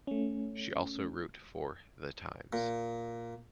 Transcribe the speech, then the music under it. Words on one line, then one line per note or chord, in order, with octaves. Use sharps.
She also wrote for "The Times".
A3 C#4
A#2